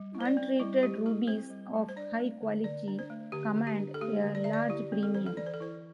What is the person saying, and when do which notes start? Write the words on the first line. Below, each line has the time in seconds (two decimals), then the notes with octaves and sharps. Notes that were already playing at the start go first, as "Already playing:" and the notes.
Untreated rubies of high quality command a large premium.
Already playing: G3
0.15 E4
0.21 C5
0.26 D5
0.37 C4
0.60 G3 E4
0.82 G3 G4
1.05 E4 A4
1.27 C4 C5
1.50 G3
1.74 G3
1.89 C5
1.96 D4 D5
2.20 A3
2.42 D3
2.64 D3 D5
2.88 D4
2.99 C5
3.10 A3
3.32 D3 G4
3.56 D3
3.67 G4
3.78 D4
3.94 A4
4.01 A3 G4
4.24 D3
4.35 D5
4.44 D3 E5
4.53 D5
4.69 E4 G4
4.92 C4
5.03 A4
5.15 E3 C5
5.26 A4
5.37 E3 D5
5.46 C5
5.54 A4
5.60 E4 C5